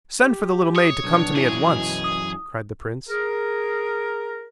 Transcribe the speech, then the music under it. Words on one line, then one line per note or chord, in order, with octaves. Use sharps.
"Send for the little maid to come to me at once," cried the prince.
G4
C#5 D#6
B1 D4
F#2 E3 E4 G#4 C#5
B2
D#6
G#4 A#4